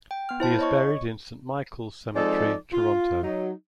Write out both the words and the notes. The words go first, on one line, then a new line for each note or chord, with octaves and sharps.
He is buried in Saint Michael's Cemetery, Toronto.
G5
B3 F6
E4 C5 A5
C#5 D#5 C#6
C#6
F3 G#3 C4 D#4 A4 D5
F4
F#3 D#4